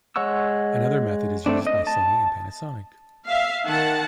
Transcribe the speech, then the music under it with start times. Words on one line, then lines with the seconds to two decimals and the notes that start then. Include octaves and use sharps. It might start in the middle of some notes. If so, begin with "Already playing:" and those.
Another method is used by Sony and Panasonic.
0.16 G#3 C#5 F#5 C#6 E6
1.46 A3 C4 D4
1.67 D#5
1.87 A5
3.28 E5 F5
3.66 D#3 F#5 A5